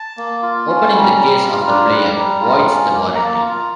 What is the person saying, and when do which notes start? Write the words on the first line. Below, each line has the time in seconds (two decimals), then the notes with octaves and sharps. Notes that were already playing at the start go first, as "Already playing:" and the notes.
Opening the case of the player voids the warranty.
Already playing: A5
0.17 A#3
0.43 F4
0.67 C#4
0.83 A5
0.92 G3
1.00 A#5
1.16 G3 A#5
1.42 F4
1.66 D4
1.91 G3
2.16 G3 A#5
2.41 F4
2.66 C#4
2.90 A#3
3.15 A#3 A#5
3.25 A5
3.34 A#5
3.41 F4